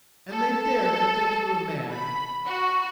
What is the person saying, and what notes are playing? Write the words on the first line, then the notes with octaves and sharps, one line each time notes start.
And they dared to think you were mad!
A4
B5
F#4